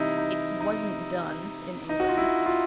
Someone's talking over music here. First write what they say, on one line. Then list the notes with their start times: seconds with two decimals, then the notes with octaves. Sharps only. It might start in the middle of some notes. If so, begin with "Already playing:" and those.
It "was n't done" in England.
Already playing: C3 E3 G3 D#4 E4
0.18 D#4
0.61 D#4
1.89 D#4
2.00 F#4
2.09 F4
2.17 E4
2.46 F4